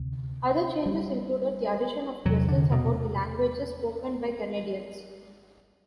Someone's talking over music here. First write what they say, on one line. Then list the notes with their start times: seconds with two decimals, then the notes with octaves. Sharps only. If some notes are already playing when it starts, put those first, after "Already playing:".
Other changes included the addition of questions about the languages spoken by Canadians.
Already playing: D2 C3
0.86 G3
2.25 E2 C3 E3 F#3
2.49 D3
2.72 B2